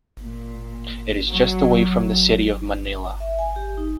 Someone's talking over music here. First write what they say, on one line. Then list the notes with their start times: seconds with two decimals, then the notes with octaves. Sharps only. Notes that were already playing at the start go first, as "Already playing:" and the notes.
It is just away from the city of Manila.
0.20 A#2
1.29 F#3
3.20 E5
3.39 G#5
3.56 G4
3.77 D#4